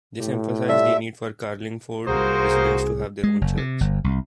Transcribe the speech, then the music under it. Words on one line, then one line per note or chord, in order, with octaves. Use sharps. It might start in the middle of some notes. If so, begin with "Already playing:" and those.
This emphasised the need for Carlingford residents to have their own church.
A2 G4
G3 A3 F4 E5
C2 A#3 D#4 F#4 G#4 C5
G#3
F#1
C3
G1
C2